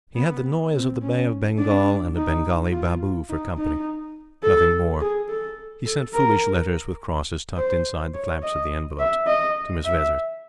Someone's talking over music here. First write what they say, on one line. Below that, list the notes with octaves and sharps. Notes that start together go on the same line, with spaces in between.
He had the noise of the Bay of Bengal and a Bengali Babu for company; nothing more. He sent foolish letters, with crosses tucked inside the flaps of the envelopes, to Miss Vezzis.
B3
C4
C#4
D4
D#4
F4
D#4
D#4
A4
G#4
A4
A4
A#4
C5
C#5
D#5
E5
D#5
E5